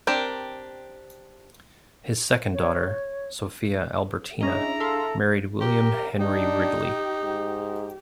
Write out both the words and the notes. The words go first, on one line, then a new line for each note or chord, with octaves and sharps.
His second daughter, Sophia Albertina, married William Henry Ridley.
C4 D4 G4 A#4
C#5
C#4 D4 E4 G#4 D#5 A#5
A4 E5 F5 C6
G4 A#4
D4 D#4 G4
G#2